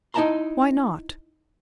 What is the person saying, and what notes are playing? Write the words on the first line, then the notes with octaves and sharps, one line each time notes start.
"Why not?"
D#4 E4 D#5 A5 A#5 C6